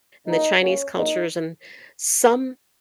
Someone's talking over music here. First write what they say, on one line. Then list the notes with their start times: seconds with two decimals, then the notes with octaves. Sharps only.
and the Chinese cultures and some,
0.26 C#2 C#3 F#3 A#3 D#4
0.59 C#2 C#3 F#3 A#3 C#4
0.93 A#1 A#2 F#3 A#3 D#4